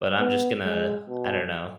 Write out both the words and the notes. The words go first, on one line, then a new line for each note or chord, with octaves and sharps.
but I'm just gonna, I don't know
B3
G#3
B2